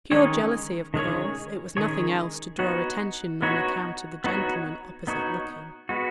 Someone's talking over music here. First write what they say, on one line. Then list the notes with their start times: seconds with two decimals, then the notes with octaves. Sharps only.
Pure jealousy of course it was nothing else to draw attention on account of the gentleman opposite looking.
0.12 D#3 G#3 C#4 G#4 C#5
0.94 D#3 G#3 C#4 G#4 C#5
1.77 D#3 G#3 C#4 G#4 C#5
2.59 B3 D#4 F#4 C#5
3.42 B3 D#4 F#4 C#5
4.24 B3 D#4 F#4 C#5
5.07 B3 D#4 F#4 C#5
5.89 G#3 B3 F#4